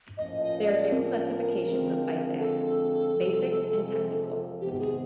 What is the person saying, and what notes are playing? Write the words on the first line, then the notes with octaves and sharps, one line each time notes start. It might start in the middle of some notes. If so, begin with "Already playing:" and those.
There are two classifications of ice axe, Basic and Technical.
A2 F3 A#3 C#4 F4 D#5
D#5
D5
A#4
D3 F3 G#3 C4
A4
F2 C3 F3 G#3
C3 D#3 G#3 B3 D#4 G4
G4
G#4